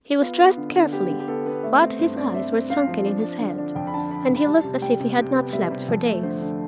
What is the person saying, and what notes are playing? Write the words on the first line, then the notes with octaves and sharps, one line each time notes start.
He was dressed carefully, but his eyes were sunken in his head, and he looked as if he had not slept for days.
B3 F4
B3
D3
D3
B3 G4
D3
G4
B3 A4
B3 B4
A3 E5
C4
G2 C5
C4 D5
C4 E5
C4
C4 F5
F3
D4
D4
D3
D4
F2 G5
B5
D3 A5
D4 B5
F2
B5
G3 A5
C3
G3 G5
C3
C3
B3
G3 E5
C3
F2
A3
D3 C5
D3